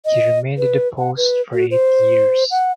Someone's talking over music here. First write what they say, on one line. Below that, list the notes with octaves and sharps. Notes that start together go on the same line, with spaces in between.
He remained in the post for eight years.
D#5
B4
F#5
B4
F#4
C5
F#5